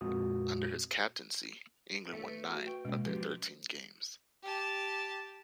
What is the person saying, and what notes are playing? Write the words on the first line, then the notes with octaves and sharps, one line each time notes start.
Under his captaincy England won nine of their thirteen games.
F2 A#2 G#3 F#4 D#6
A3 A4 E5
B4
F#4
B4 G5 C#6
B2 G#3 A#3 C#4
F3 C#4 F#4 G4 B4
G4 A5